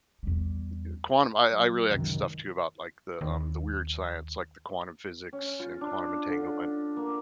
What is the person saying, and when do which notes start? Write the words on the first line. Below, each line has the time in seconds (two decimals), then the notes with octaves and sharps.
uh uh quantum, I I really like stuff too about, like, the, um, the weird science, like, the quantum physics and quantum entanglement.
0.23 E2 G3
1.51 F#3
1.89 C#2 F#2 C3 D#3 E3
3.21 D#2
5.33 C#4
5.60 F4
5.81 D4
6.28 D3
6.97 A#3